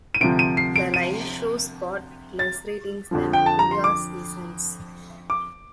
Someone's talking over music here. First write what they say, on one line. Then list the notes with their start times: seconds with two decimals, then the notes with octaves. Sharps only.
The live shows got less ratings than previous seasons.
0.15 D#7
0.21 D2 C3 F3 D7
0.39 D#7
0.57 C7
0.76 D7
0.94 D#7
2.39 A6
3.11 F2 D3 F3
3.33 G5
3.46 A5
3.59 A#5
3.71 C6
3.84 D6
5.30 D6